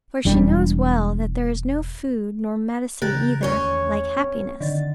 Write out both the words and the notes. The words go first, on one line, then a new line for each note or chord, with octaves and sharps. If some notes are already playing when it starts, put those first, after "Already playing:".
For she knows well that there is no food, nor medicine either, like happiness.
E1 E2 G3 D4
C#3 E3 F#3 G4 A#4 F#6 A6
E2 D#3 A3 C#4 C#5
C4
D3 D#3 A6